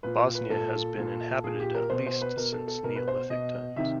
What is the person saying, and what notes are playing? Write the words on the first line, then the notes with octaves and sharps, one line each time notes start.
Bosnia has been inhabited at least since Neolithic times.
A#2 B4
B4
A#2 A4
A#2
A#2 G#4
G4
A#4
B2 C5
C5
B4
B2 A#4
A4
A4
B2 A#4
B4
C5
B2 D#5
C3 D#3 E5